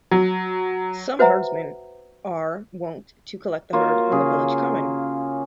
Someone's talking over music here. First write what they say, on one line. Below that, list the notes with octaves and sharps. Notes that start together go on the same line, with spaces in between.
Some herdsmen are wont to collect the herd on the village common.
F#3
F#4 B4 C5 E5 F#5 A#5
A#3 F4 F#4 C#5
C#3 G#4